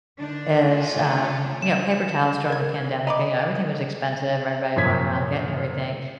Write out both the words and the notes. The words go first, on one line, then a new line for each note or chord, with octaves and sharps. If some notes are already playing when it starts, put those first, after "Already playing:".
as, um, you know, paper towels during the pandemic, you know, everything was expensive, everybody was running around getting everything.
D3 D4 D#4
A3 C#4 F4
E7
A#4 G#6
D#5 A#5 B5 D6
F#2 A#2 F3 C#4 G#6 B6